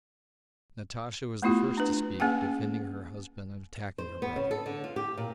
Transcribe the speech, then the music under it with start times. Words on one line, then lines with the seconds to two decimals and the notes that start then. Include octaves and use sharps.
Natasha was the first to speak, defending her husband and attacking her brother.
1.42 A3 B3 E4 F4 G4
1.78 D4 B4
2.20 A#3 C#4 G#4 F#5 G5
3.98 C5
4.22 B3
4.36 C#3
4.51 A4
4.66 D3
4.84 F4
4.96 G4
5.17 A#2